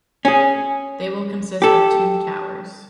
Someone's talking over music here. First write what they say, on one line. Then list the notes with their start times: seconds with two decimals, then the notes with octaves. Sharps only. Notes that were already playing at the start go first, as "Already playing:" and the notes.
They will consist of two towers.
0.25 C#4 G#4
1.62 G4 A4